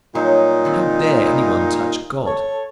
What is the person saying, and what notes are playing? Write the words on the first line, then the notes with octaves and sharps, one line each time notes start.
How dare any one touch God?
A#2 F#3 G3 D#4
D#3 C4
E4
A4 C#5